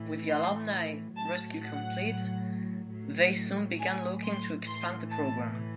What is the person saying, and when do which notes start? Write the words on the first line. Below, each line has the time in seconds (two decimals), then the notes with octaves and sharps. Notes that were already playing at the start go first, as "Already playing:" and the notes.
With the alumni rescue complete, they soon began looking to expand the program.
Already playing: A2 E3
0.29 C6
1.16 A2 F#3 A5
1.60 F#5
2.92 A2 F#3
3.79 G#5
4.23 C6
4.67 A2 E3 C6
5.11 A5